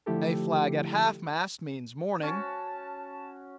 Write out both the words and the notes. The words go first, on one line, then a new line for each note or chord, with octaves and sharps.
A flag at half-mast means mourning.
D3 F3 A3 E4 G4 A4
C#4 F#4 A5